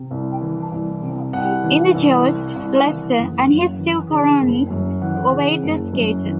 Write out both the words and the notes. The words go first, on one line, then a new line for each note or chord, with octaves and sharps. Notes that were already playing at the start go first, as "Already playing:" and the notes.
In the joust, Lester and his two cronies await the skater.
Already playing: C3
C2
E3
C2
C3
C2 F#5
E3
C2
C3
C2
E3
F#1
F#2
E3
C#3
F#1
F#2
E3 F#5
C#3
F#1
F#2
E3